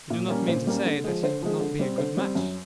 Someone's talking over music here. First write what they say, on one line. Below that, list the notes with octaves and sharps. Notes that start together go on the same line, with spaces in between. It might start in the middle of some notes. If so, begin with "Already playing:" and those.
"You do not mean to say that it would not be a good match?"
A#2
G3 A#3 C#4
A#2 C5
G3 A#3 C#4
D3
F3 G#3
D3 C5
F3 G#3
D3
G3 C4
D3 C5
G3 C4
F#2